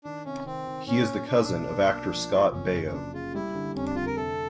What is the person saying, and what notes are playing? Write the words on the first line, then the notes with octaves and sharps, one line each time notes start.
He is the cousin of actor Scott Baio.
D#3 D4
C3 C#4
D#3 C4
D#3
A#2 C#4
A#2
A#2 D4
C#4
D4
B1
A#3
A#3
F3
F3
F#1 C#4
F#1
C#4
F#2 D4
C#3 F4
G3 E4
D3
F2 C#4
D4
D3 F4
A#4
C3 A4